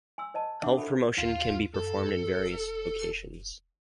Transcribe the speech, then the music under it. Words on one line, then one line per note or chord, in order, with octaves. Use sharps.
Health promotion can be performed in various locations.
G#5 C6 E6
C5 D#5 A5
D4 E5 F#5 D6
A4 B5
D#2 F4 F5
F#2 A4
F1